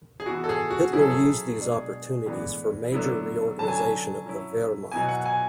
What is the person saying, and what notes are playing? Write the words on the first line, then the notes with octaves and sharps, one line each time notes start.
Hitler used these opportunities for major reorganization of the "Wehrmacht".
G#4
E3 B3 E4 F#4
A4
G#4
F#4
F#3 C#4 E4 G#4
A4
G#4
B2 G#3 D4
A2 E3 G#3 B3 D4
D3 F#3 B3 E4
D3 F#3 C#4 A5
G#5
A5
F#3 C#4 E4
B2 F#3 B3 E4 G#5
F#5
G#5